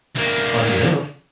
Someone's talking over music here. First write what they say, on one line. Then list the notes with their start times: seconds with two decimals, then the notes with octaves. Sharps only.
funny enough
0.16 D2 A#3